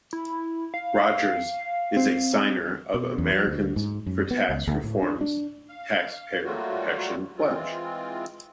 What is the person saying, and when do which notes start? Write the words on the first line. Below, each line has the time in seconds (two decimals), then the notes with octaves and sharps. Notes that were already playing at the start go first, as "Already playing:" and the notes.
Rogers is a signer of Americans for Tax Reform's Taxpayer Protection Pledge.
0.13 E4
0.74 F5
1.97 C4
2.94 B2
3.18 E2
3.32 F#3
3.47 D2
3.76 G#2
4.06 F#2
4.31 B3
4.49 C#2
4.67 D2
4.84 A2
5.02 D4
5.21 D4
5.69 F5
6.44 F#3 G3 A3 A#3 F4 F#4
7.37 E3 G#3 C4 F4